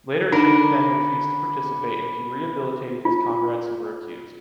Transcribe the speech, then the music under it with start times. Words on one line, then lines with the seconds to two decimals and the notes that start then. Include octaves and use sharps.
Later Ching Peng refused to participate and he rehabilitated his comrades who were accused.
0.32 D3 D#4 A#4 B5
3.05 F4